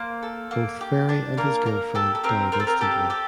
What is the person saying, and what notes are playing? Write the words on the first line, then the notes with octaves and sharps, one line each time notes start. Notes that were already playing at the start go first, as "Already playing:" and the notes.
Both Ferry and his girlfriend died instantly.
Already playing: A#3 C5
A4
A#3
G4
D4
A#3 A#4
A#3 A#4
G4 A4
A4
C4 A#4
C4 A#4
A4
A#4
G4 A4
G4 A4